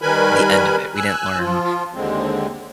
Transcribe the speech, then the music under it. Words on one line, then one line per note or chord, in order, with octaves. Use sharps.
the end of it. We didn't learn,
D#3 G3 A#4 B4 G#5 B5
G#5 E6 F#6
F3 F4
D#2 D3 G#3 C4